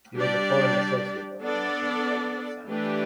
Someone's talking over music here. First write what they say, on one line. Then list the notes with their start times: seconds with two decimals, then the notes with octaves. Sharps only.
He was a foreign associate of the National Academy of Sciences.
0.16 G3 D4 G4 D5
1.42 B3 D4 A4 D5
2.67 E3 A3 D4 G4 B4